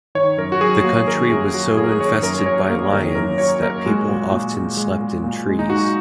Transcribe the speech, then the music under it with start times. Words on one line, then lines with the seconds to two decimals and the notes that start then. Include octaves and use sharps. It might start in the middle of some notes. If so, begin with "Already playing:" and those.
The country was so infested by lions that people often slept in trees.
0.15 D#3 C#5
0.38 F#2 A#4
0.52 F#4
0.61 F#3 G#4
0.84 A#3 F#4
1.07 D#3 A#4
1.30 F#2 G#4
1.54 F#3 F#4
1.76 A#3 G#4
1.84 A#4
1.92 G#4
1.99 D#3 C#5
2.22 F#2 A#4
2.46 F#3 C#5
2.69 A#3 A#4
2.93 D#3 A#4
3.15 F#2 A#4
3.38 F#3 C#5
3.61 A#3 A#4
3.86 G#3 F#4
4.08 A#2
4.31 A#2
4.54 G#3
4.77 G#3
5.00 A#2
5.24 A#2
5.47 G#3
5.59 D#4
5.70 G#3 F#4